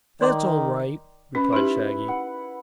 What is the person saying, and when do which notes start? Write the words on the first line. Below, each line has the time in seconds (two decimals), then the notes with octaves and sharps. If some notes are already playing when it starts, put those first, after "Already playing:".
"That's all right," replied Shaggy.
0.21 D#3 D5 C6 D6
1.35 C#4 B4
1.53 D#4 E4 G4 B4
2.08 F#5